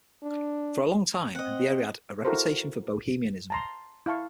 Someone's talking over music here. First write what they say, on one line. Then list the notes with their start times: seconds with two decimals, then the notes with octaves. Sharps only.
For a long time the area had a reputation for bohemianism.
0.23 D4
1.35 C4 D#5 F#5
2.25 E4 F#4 A4 A#4 C5
3.50 A5 A#5 C6
4.06 E4 F5 A5 C#6